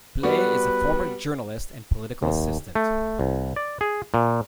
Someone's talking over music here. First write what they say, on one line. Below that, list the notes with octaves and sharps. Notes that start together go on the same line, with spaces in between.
Blais is a former journalist and political assistant.
G3 B3 F#4 B4
D#2
A3
C2
D5
G#4
A#2